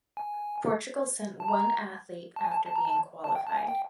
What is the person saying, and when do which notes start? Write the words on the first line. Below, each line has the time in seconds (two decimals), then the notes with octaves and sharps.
Portugal sent one athlete after being qualified.
0.17 G#5
1.40 A5
1.48 A#5
2.36 A5
2.44 G#5
2.51 A5
2.66 A5
2.76 A#5
2.85 A5
3.24 A5
3.35 G5
3.47 A5
3.57 G#5
3.68 G5